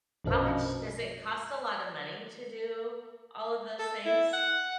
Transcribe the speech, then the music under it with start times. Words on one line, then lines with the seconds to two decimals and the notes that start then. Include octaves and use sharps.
How much does it cost a lotta money to do all of those things?
0.24 A#1 F#2 B2 F3
3.79 A4
4.05 E4
4.33 F#5